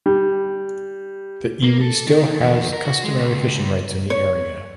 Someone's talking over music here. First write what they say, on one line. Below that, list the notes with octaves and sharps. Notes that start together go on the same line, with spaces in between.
The iwi still has customary fishing rights in the area.
G3
A#3
A4
D#3
E2
A#4
F#4
G#3
C#2
C#5